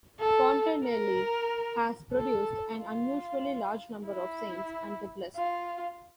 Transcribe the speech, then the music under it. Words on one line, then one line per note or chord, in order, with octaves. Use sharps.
Fontenelle has produced an unusually large number of saints and the blessed.
A4
A#4
A4
F4
E4
F4